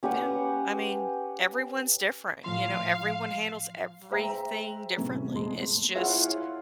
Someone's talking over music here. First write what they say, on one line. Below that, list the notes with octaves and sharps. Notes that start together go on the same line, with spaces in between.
Yeah, I mean, everyone's different, you know, everyone handles everything differently. It's just
C#4 G4 B4 F#5
A2 F3 F5 C6
G#4 C5 E5 G5 A#5
E2 A2 C3 G3 C#4
F2 A#2 G#3 C6
E4 F4 G#4 C#5 F5 F#5